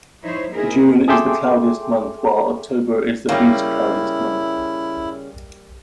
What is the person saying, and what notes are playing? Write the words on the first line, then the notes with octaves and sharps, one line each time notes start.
June is the cloudiest month while October is the least cloudiest month.
F3 D#4 E4 C5 C#5
A#3 C4 D#4 E4 G#4 A#4
G#4 A4 E5 G5 C6 D6
C#3 G3 A#3 E4